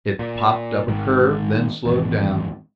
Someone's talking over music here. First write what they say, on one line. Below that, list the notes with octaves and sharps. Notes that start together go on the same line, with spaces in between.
It popped up a curve, then slowed down.
A#2
G#1 G#2 D#3
G#1 E2